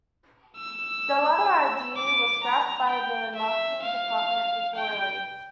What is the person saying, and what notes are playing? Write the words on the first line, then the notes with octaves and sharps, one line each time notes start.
The latter idea was scrapped by the marketing department before release.
E6
D6
A#5
G5
E5
F5
G5